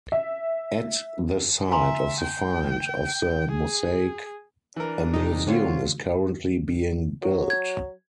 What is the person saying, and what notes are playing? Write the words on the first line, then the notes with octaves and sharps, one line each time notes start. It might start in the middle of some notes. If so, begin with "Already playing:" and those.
At the site of the find of the mosaic a museum is currently being built.
E5
E5 G#5 A#5 C6
G5
G#4
E3 D4 A#4
C3 D#4 A4
D3 C4 F4 F#4 C#5
F#3
G#6